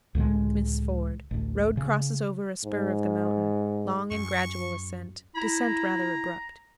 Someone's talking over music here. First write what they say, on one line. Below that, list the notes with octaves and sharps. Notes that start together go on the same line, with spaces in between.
Smith's Ford.--Road crosses over a spur of the mountain; long and gradual ascent; descent rather abrupt.
C#2 A2 D3 G#3
A1 D2
C#3
G#2
F#2 C#6
E4 A#5